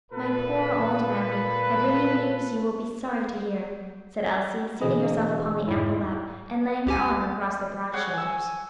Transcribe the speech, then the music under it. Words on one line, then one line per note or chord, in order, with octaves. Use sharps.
"My poor old mammy, I bring you news you will be sorry to hear," said Elsie, seating herself upon the ample lap, and laying her arm across the broad shoulders.
A#2 F4 A4 B4
G6
B2 D3 E3 G#4 D#5 B5
F2 G#2 E4 C#5
C#2 G4 G#5
F#4 G#4 C#5
G#5 E6